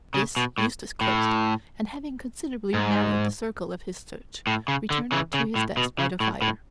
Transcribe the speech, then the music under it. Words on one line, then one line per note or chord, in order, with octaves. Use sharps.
This Eustace closed, and having considerably narrowed the circle of his search, returned to his desk by the fire.
C#3
B2
A2
A2
G#2
A2
C#3
D3
C#3 E3
C#3
A2
B2
C#3
A2
A2